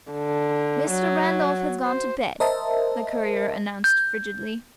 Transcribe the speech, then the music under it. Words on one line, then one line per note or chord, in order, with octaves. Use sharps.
"Mr. Randolph has gone to bed!" the courier announced frigidly.
D3
F#3
C5
A#4 C5 D#5 E5 A5
G6